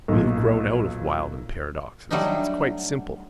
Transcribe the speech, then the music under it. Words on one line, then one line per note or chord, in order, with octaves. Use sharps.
We have grown out of Wilde and paradoxes. It's quite simple.
B1 A#2
F#3 G3 A3 D4 D#4